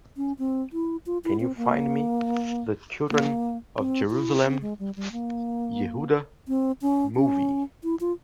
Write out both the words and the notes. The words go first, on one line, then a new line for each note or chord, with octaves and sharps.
Can you find me the Children of Jerusalem: Yehuda movie?
C#4
C4
E4
F4
E4
C4
A#3
A#3
C4
E4
C4
G#3
G3
G3
A#3
C4
C#4
C#4
E4
F4